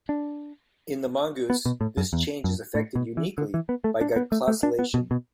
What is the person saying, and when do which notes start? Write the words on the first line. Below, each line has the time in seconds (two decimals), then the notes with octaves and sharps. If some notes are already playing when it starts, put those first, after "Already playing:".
In the mongoose, this change is effected uniquely, by glycosylation.
0.09 D4
1.50 B3
1.66 B2
1.81 A2
1.97 F#2
2.13 E2
2.44 F#2
2.75 A2
2.95 B2
3.17 E3
3.38 D3
3.54 E3
3.69 B3
3.84 A3
4.01 D4
4.16 B3
4.32 A3
4.48 A3
4.63 D4
4.79 B3
4.94 B2
5.11 B2